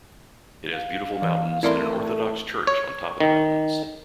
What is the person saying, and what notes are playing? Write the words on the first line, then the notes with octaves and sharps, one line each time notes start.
It has beautiful mountains and an Orthodox church on top of the mountains.
F5
E3
A3 C4 E4 A#4 D5 C6
A4
C#5
D#3